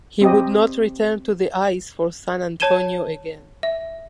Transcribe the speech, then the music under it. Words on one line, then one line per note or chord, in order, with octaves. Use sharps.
He would not return to the ice for San Antonio again.
C4 G4 D#5
C#5 A5 G#6 D#7 E7 G7
E5